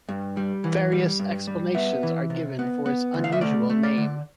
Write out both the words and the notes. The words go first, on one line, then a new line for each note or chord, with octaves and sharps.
Various explanations are given for its unusual name.
G2
G3
E3
G3
G2
G3
B3 E5
E3
C3
B3
B3
D2
F5
E5
A3 D5
A3
D5
D3